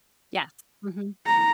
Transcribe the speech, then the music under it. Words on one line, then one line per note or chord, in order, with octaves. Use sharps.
Yes. Mhm.
A#5